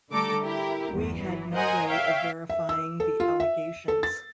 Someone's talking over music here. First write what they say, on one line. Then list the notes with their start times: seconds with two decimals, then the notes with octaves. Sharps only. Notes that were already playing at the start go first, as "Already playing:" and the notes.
We had no way of verifying the allegations.
0.11 D3 G3 A3 A4 A#5 D6
0.43 E4 G4 A#4
0.89 G1 E2
1.21 E3 F#3
1.54 A#4 C5 D#5 F#5 G#5 A#5
1.88 C#5 E5 F5 G5
2.50 E5
2.69 E6
3.00 A4
3.20 F4
3.40 E5
3.88 A4
4.03 A6